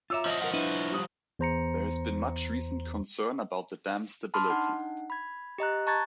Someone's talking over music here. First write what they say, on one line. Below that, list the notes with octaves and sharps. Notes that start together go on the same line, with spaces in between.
There has been much recent concern about the dam's stability.
F4 C#5 E5 A#5 D6 E6
F3 F#4 D#5 D#6
A#4 F#5
D4 E4 B4
G3 D#6
E2 C5 A#5 C#7
A5 B5 C6 D6 F6
D4 D#4 F#5
B5 G#6
G4 D#5 A#5 F#6
A5 A#5 C#6 F#6 G#6 A6